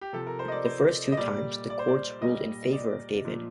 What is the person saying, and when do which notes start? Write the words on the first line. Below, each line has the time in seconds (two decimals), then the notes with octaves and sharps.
The first two times, the courts ruled in favor of David.
0.01 G4
0.13 C3 F3 A4
0.27 A#4
0.39 C5
0.48 D#5
0.52 D5
0.66 C5
1.12 D#5
1.17 A#2 G3 D5
1.70 D5
1.79 C5
1.88 D5
2.21 A#2 G3 D#5
2.73 D5
3.25 A#2 F3